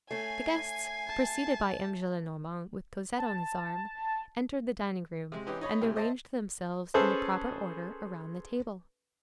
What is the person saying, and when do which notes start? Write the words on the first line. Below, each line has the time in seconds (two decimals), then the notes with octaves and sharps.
The guests, preceded by M. Gillenormand with Cosette on his arm, entered the dining-room, and arranged themselves in the proper order around the table.
0.11 A3 C#4 G#5 C7
1.07 A5
3.18 A5
5.32 C3 G#3
5.47 E3 C#4 D#4 G4
5.61 D#4 C#5 D#5 B5
5.81 D2 A2 C3
5.96 C5 D#5 E5 A5 C6
6.94 C#4 G#4 A4 B4 C5